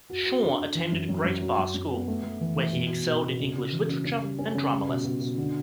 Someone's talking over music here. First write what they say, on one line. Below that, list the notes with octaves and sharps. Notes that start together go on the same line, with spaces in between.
Shaw attended Great Barr School, where he excelled in English literature and drama lessons.
F#4
F#4
D4
D4
E3
F#2
F#2
F#2
F#3
F#2
F#2
B3
A3
A3
E3
E3
B2
B2
B2
B2
C#3
C#3
E3
C#3
C#3
G3
C#4
C#3
G3
B2
B2
B2
D3